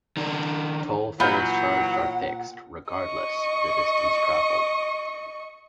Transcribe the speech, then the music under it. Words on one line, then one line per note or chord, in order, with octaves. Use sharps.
Toll fares charged are fixed regardless the distance travelled.
D#3 D4
A#2 E3 F#3 F#5 B5 G6
D#5 C#6